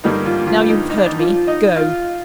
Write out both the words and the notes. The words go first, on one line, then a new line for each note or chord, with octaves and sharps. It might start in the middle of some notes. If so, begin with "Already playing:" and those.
Now you have heard me, go!
G2 D3 G3 A#3 D#4
F3 F4
F3 F4
D#4
D#4
D4
D#4
F3 F4
D#4 D#5
F4 F5